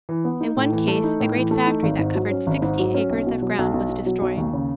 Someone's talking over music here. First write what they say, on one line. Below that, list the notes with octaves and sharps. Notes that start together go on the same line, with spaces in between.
In one case a great factory that covered sixty acres of ground was destroyed.
E3
B3
D#4
A2
E3
A3
D#4
A2
E3
A3
D#4
G#1
G#2
F#3
C#4
G#1
G#2
F#3
C#4
B1
B2
F#3
B1
B1
B2
F#3
B1
D#2
C#3